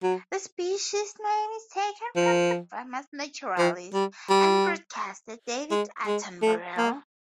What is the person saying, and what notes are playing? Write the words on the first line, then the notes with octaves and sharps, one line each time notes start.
The species name is taken from the famous naturalist and broadcaster David Attenborough.
F#3
F3
F3
G3
G3
G#3
G#3
A3
A#3